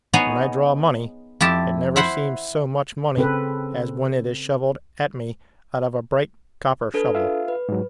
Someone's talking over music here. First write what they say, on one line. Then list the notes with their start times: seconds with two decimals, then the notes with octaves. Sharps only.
When I draw money, it never seems so much money as when it is shovelled at me out of a bright copper shovel.
0.13 B3 D#4 G#4 C#5 F#5
1.41 F2 E4 G4 A5
1.96 E4 C5 F#5 B5
3.17 C#3 C4 A4 B4
6.94 D4 A4 B4
7.15 F4 E5 F5
7.48 B4
7.69 G#2 F#3